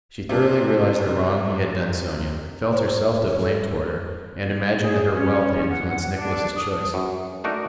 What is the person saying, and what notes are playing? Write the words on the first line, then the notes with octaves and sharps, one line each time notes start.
She thoroughly realized the wrong he had done Sonya, felt herself to blame toward her, and imagined that her wealth had influenced Nicholas' choice.
C3 D4 G#4
C5
A#4
C#5
A4
G#4
C#4
F#5
D4
D#6
F#2
A3 D4 D#4 F#4 A#4